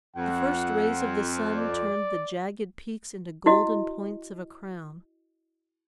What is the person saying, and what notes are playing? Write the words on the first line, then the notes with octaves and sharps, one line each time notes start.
The first rays of the sun turned the jagged peaks into golden points of a crown.
F2 F#5
D5
E4 F#4 D#5